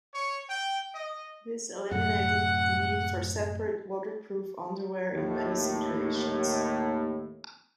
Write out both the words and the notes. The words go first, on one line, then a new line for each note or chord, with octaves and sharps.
This eliminated the need for separate waterproof underwear in many situations.
C#5
G5
D#5
F#2 A2 C3 F#5
D#2 A2